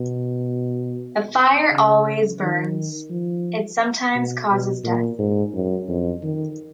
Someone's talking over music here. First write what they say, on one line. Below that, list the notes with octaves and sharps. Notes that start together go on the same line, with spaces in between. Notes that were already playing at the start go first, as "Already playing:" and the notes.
The fire always burns, it sometimes causes death.
Already playing: B2
C#3
D#3
F3
B2
B2
A#2
G#2
F#2
F2
D#3